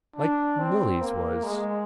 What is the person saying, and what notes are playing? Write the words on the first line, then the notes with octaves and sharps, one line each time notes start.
Like Milly's was.
D4
C4
A#3
G#3